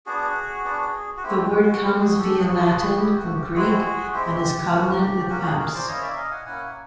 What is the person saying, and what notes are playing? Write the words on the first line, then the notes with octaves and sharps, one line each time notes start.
The word comes via Latin from Greek and is cognate with apse.
B3 D4 F#4 G#4
B3 D4 F#4
F#4
A3 C4 E4 G4
F#4
F#4
A3 C4 E4
F#4 G#4
G4 A4
B3 E4 F#4 G#4
F#4 G#4
B3 E4 G4
F#4
G4
G#3 C4 E4 F#4 G#4
G#3 C4 E4 G4
A#3 C#4 F#4
G4
A#3 C#4 F#4 G4
F#4 G#4
G#4 A#4
C5 D5
A#3 C#4 E4 C#5 D#5
D5 E5
D#5 F5
F#5 G#5
A#3 C#4 E4 F#5 G#5